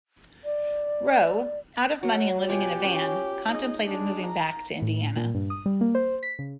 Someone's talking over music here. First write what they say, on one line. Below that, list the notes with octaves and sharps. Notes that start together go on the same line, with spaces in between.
Roe, out of money and living in a van, contemplated moving back to Indiana.
D5
F#3 F#4
B2 F4 G4 G#5
C#4
D#4 G#4 D#5
G#3 D4
A#5
A2
A#2
G2
D#6
G3
A#3
C5
B6
C#3